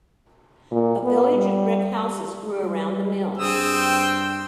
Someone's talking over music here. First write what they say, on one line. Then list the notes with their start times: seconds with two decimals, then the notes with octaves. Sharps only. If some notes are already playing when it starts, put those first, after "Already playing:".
A village of brick houses grew around the mill.
0.71 A#2
1.04 B3
1.36 G3
2.63 G3
3.38 G2 C4 G#4 D#6 E6
3.75 G5 C6